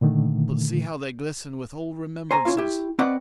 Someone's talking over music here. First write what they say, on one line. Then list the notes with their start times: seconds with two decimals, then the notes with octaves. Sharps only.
But see how they glisten with old remembrances!
0.01 A#2 D3 D#3 A3
2.31 C5 G#5 A#5
2.45 C#4 E4 F4 F5
2.57 E4 G4
2.99 C4 B4 D5 D#5 F#5